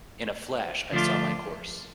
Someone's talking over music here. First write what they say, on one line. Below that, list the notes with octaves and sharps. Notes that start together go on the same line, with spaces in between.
In a flash I saw my course.
D3 F3 A3 D4 F4